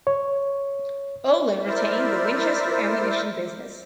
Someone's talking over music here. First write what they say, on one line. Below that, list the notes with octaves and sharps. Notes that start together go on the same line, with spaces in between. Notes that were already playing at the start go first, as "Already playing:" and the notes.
Olin retained the Winchester ammunition business.
C#5
E4 A#4 C5 D5 E5